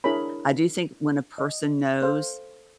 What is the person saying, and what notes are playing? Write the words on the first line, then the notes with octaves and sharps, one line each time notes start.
I do think when a person knows
D4 E4 G#4 A#4 C#5 B5
D#5
A4 C5 F5